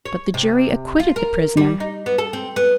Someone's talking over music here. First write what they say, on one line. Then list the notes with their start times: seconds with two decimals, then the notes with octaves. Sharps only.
But the jury acquitted the prisoner.
0.06 C#5
0.34 C3
1.00 F4
1.16 A#4
1.57 G3
1.80 D#4
2.06 B3
2.18 A4
2.33 C4
2.56 B3